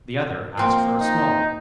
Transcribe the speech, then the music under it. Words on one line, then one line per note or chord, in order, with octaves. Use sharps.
The other asked for a small one.
F3 A#3 C4
D#4